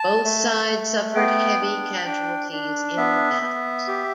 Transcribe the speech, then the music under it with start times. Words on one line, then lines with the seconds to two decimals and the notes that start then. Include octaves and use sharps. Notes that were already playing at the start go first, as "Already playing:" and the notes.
Both sides suffered heavy casualties in the battles.
Already playing: A5
0.24 A3
0.70 A3
1.15 B3 G5
1.61 D4
2.06 D4
2.52 D4
2.97 B3 E5
3.42 B3
3.88 G4